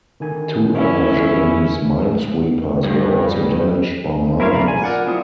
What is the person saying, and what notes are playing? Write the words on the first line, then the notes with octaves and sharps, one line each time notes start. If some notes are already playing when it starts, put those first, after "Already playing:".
Two other Japanese minesweepers were also damaged by mines.
D3 D#3 G#5
C#4 E4
G2
E4 A#4 C5 C#5 F5
D5 F5 A#5 B5
G#5
F4 A#4 D5 F#5
F#3 C4 E4 F4 D#6